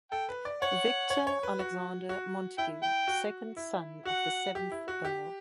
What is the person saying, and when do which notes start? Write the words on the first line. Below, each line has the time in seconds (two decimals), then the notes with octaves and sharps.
Victor Alexander Montagu, second son of the seventh Earl.
0.12 A4 G5
0.29 B4
0.45 D5
0.62 C#5 F#5
1.10 C#5
1.27 C#5
1.43 B4
1.59 F#4
2.09 F#4
2.58 E4 G5
2.83 G5
3.08 F#4
3.57 E4
4.05 F#4 F#5
4.55 G4
4.72 E4
4.88 F#4
5.05 G4